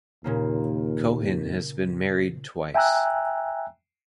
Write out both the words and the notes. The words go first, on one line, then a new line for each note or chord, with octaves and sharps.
Cohen has been married twice.
D#2 A#2 C#3 A#3
E5 G5 G#5 A#5 E6 F#6